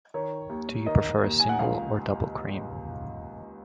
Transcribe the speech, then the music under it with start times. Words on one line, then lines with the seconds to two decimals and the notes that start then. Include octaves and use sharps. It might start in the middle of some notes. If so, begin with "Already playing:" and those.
Do you prefer single or double cream?
0.14 D#3 C#5
0.49 D#2
0.86 D#3 D#5
1.23 D#2
1.40 G#5
1.49 F#5
1.59 C#2 F5